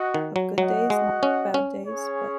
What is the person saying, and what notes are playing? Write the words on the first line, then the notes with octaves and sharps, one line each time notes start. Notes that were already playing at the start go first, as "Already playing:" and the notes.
I have good days, and I have bad days, but
Already playing: F#4 D#5 F#5
D#3
F#3
F#3 F#4 D#5 F#5
G#3
C#4
C#4
C#4 G#4 C#5